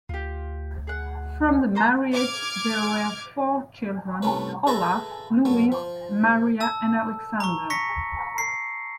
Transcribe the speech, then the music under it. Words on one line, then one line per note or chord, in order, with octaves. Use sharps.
From the marriage there were four children, Olaf, Luise, Maria and Alexander.
D2 F4 G4
G#4 F#5
A#3 C5 A#5
D6 F6 G#6
C2 A3 C#4 B4
G#4 A4 B4 E5 A5 A#5
F#2 A3 B3
F3
A5 E6
A#5 C#6
C#6 A#6 B6 C#7
C7